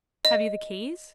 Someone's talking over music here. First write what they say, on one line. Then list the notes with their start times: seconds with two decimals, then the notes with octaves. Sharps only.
"Have you the keys?"
0.25 D#5